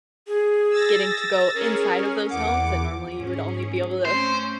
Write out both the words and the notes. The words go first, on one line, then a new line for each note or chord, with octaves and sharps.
Getting to go inside of those homes that normally you would only be able to
G#4
E6 A6 A#6
C#4 G#4 A#4
E2 F#5 D6
G#2 C#4 G#4
A3 C4 C#4 C5